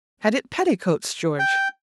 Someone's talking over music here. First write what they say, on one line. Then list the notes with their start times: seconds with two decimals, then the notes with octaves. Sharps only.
"Had it petticoats, George?"
1.39 G5